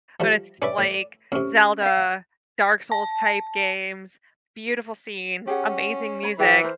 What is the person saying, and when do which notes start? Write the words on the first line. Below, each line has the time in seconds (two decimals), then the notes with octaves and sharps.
Or it's like Zelda, Dark Souls-type games- beautiful scenes, amazing music,
0.20 F3 G3 A3
0.62 C#4 B4 D5 E5
0.78 A2
1.32 A2 C3 C#4
1.82 E5 F5
2.92 A5
5.47 C#4 G4 G#4 F#5
6.23 C#5 B5
6.39 E3 G#4 G5
6.63 A#4 C5